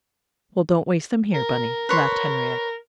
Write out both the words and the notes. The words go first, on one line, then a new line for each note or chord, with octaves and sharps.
"Well, don't waste them here, Bunny," laughed Henriette.
A#4
B4 C#5 C6